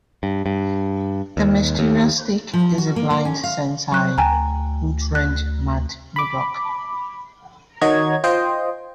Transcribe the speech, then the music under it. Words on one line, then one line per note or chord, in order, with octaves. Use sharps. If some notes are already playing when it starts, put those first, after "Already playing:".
The mysterious Stick is a blind sensei who trained Matt Murdock.
G2
G2
D#2
D#2
F3
F#4
A#3
A#3
C#4
F5
F#3 C#6 F#6
D2 G5 G#5 A#5
F#6
B5 D6
D#3 F#4 C#5 D#5 A#5 G#6
F4 C5 D#5 G5